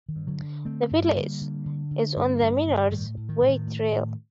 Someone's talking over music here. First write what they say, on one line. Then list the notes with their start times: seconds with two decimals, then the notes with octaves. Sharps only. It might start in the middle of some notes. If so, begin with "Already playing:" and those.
The village is on the Miner's Way Trail.
0.09 D#3
0.16 G2
0.27 D3 F#3
0.40 D3
0.65 D3 A3 C4
0.91 G2
1.03 G3 A#3
1.16 D3
1.41 D3
1.66 D3
1.91 D3
2.16 G2 G3 A#3
2.41 G2
2.66 D3
2.91 A2 D#3 G3
3.17 A2
3.29 D#3
3.42 A2
3.49 D#3
3.67 A2
3.92 A2